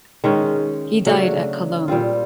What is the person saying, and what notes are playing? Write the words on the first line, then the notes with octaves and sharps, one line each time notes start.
He died at Cologne.
D#3 G#3 C#4
C#3 F#3 A3 D4
A#2 G3 C4 F4